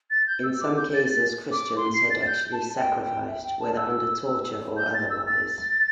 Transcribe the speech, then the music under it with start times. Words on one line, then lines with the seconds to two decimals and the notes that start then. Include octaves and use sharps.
In some cases Christians had actually sacrificed, whether under torture or otherwise.
0.11 A6
0.27 G6
0.44 E6
0.61 D6
0.77 G6
0.94 A6
1.11 A6
1.52 D6
1.77 C6
1.94 C7
2.10 A6
2.27 G6
2.52 A5
2.77 G5
3.02 G5
3.27 E5
3.44 G5
3.60 A5
3.77 E6
4.77 G6
4.94 A6
5.10 E6
5.27 A6